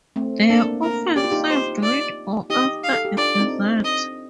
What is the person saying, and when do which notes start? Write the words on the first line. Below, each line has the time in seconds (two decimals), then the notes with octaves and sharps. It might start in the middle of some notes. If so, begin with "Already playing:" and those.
They are often served with or after a dessert.
0.16 A3 C4
0.50 A#3 D4 A4
0.83 A#4
1.16 G4 D5
1.24 F4
1.32 D#4 G4
1.50 C5
1.83 D5
2.50 D#4 G4 D#5
2.84 F5
2.93 A4
3.05 G4
3.17 D4 F4 D5
3.40 C4 D#4
3.84 D#5